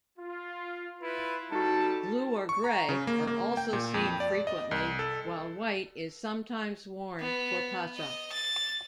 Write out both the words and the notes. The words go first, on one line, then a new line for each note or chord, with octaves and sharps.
Blue or grey are also seen frequently, while white is sometimes worn for Pascha.
F4
E4 F4 B4
G3 D#4 F#4 A4 A5
C#6
A#5
C#3
A#3
A#3
G5
A#2
F2
D5
D#5
C2
A4
B3
D#5
A6